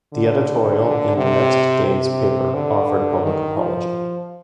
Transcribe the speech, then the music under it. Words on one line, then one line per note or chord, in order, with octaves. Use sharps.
The editorial in the next day's paper offered a public apology.
D3
C3
C3
D3
D#3
F3